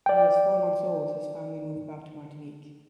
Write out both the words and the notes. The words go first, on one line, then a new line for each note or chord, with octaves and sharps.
When he was four months old his family moved back to Martinique.
D5 G5